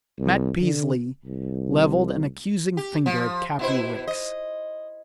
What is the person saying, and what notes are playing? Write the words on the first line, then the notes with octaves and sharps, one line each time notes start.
Matt Peasley leveled an accusing finger at Cappy Ricks.
C2
D3
C2
G4
F3
B2 E4 C5
D#5